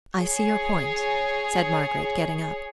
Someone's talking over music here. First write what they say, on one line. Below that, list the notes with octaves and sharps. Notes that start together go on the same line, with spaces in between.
"I see your point," said Margaret, getting up.
G#4 C#5